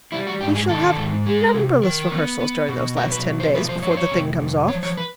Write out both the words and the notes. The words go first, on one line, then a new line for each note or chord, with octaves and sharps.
We shall have numberless rehearsals during those last ten days before the thing comes off.
G3 E4
F#4
G#2 G4
G#4
D#3 A4
G#2
G#3
C3
D#3 A#4
B3
B3
B2
F#3 A#4
B4
B2
C5
F3 B4
C5
F2 C#5
C5
C#5
C3
F2
F3 C#5
C#5
B4